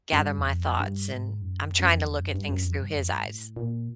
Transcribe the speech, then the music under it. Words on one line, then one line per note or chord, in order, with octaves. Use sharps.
gather my thoughts, and I'm trying to look at things through his eyes.
F#2
G2
E2
F2
G2
G#2
F#2
F2
F#2
F2
E2
F#2
G2
F#2
F2
G2
F2
G2
A2
A#2